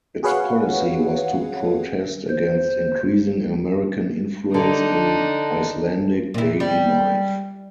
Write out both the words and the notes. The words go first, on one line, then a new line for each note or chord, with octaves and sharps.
Its policy was to protest against increasing American influence in Icelandic daily life.
F#4 G#4 B4 C#5 F5 F#5
C5
D3 D4 D#4
A#2 E4
G3